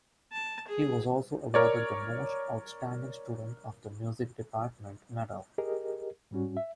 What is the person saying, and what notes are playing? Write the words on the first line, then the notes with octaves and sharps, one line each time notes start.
He was also awarded "The Most Outstanding Student of the Music Department" medal.
A5
G#4
A#4 C#5 D5
G4 G#4 A#4 D#5
G#2 G3 C#4 F#4
E5